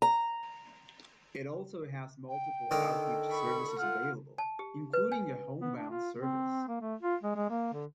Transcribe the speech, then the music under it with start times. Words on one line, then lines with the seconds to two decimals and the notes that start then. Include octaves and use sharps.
It also has multiple outreach services available, including a homebound service.
0.02 A#5
2.28 G5
2.71 D3 D#3 A4
3.31 B5 C#6
3.78 F4 F#5 F6
4.38 A5
4.59 G4
4.93 B4
5.12 G#5
5.61 B3
5.76 D4
5.90 F4
6.18 C4
6.68 A#3
6.81 A3
7.02 F4
7.23 G#3
7.36 G#3
7.50 A#3
7.73 D3